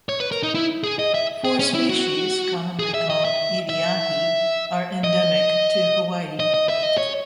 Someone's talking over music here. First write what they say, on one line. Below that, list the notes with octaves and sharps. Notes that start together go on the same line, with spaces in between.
Four species, commonly called "iliahi", are endemic to Hawaii.
C#5
B4
A#4
D#4
E4
G#4
D#5
E5
G#4
C#4
E4
F#4
G#4
E5
D#5
E5
E5
D#5
D#5
D#5
E5
D#5
C#5